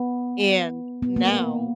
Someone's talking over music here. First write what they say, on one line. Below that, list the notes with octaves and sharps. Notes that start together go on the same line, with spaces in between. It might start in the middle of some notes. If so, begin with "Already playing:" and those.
and now,
Already playing: B3
B3
A#3